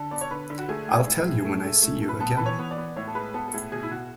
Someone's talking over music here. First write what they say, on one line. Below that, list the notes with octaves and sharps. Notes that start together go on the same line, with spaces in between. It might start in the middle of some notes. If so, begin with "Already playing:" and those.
I'll tell you when I see you again.
Already playing: D3 A4
B3 D5
C#5
D3 B4
D3
F#4
A3 G#4
A2
A2
A2
A3
A3
A3
A3
B4
B3 A4
E3 B4
C#5
B3
D5
B3
A2 C#5
A4
G#3 B4
B3 A4
A4
A2 G#4
B2 G#4
E4
B2 F#4